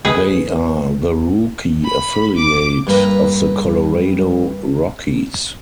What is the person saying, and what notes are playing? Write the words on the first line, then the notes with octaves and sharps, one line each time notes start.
They are the Rookie affiliate of the Colorado Rockies.
G#4 B4
B5
D6
G2 A#3 B4 A#5